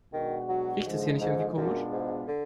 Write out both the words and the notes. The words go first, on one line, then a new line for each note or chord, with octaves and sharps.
Riecht es hier nicht irgendwie komisch?
B2 D#3 G#3 D4 F#4
F#3
G#2 D3 F3 G#3 D#4
G#2
F#2 B2 G#3 B3 D4 F4
G#2
D3